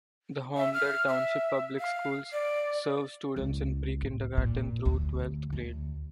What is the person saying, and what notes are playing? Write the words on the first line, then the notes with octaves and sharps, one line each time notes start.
The Holmdel Township Public Schools serve students in pre-kindergarten through twelfth grade.
E5
F6
E5
F5
D5
C#2
A2
A#2
D2
D2